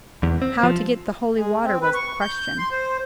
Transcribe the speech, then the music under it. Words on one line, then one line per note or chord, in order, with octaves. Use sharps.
How to get the holy water was the question.
E2
C4
F3
G#3
C4
B4
C#6
G6
C6
C5